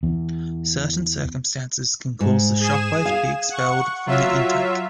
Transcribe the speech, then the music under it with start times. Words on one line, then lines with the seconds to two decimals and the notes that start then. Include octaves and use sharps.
Certain circumstances can cause the shock wave to be expelled from the intake.
0.03 E2
2.20 G#2
2.60 G#4 G#5 E7
3.05 F5
3.50 F#5 C#6
4.06 F#3 F4 E5